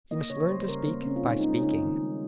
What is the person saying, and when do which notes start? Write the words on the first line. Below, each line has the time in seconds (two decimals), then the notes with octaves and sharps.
You must learn to speak by speaking.
0.11 A#3 D#5
0.30 C#3 C#5
0.49 G3 C5
0.62 C5
0.68 C#3 A#4
0.87 A#3 C5
1.03 C4
1.06 C#3 C#4
1.16 F4
1.26 G#3 D#4
1.40 D#4
1.44 G#3 C#4
1.63 C#3 D#4
1.83 D#3
2.02 G3